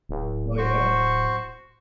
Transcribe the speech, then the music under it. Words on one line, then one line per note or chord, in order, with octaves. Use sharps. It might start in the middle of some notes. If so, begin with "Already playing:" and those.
Oh, yeah?
D1
F#4 C5 C#6